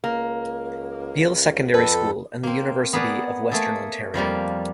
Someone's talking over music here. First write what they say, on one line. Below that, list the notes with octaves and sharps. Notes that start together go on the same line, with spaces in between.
Beal Secondary School and the University of Western Ontario.
C#2 A#3
F2 A4 B4
A#3 C4
B3 G#4 A#4 B4 D5
A3 A#3 G#4 A4
F2 F3 G3 A#3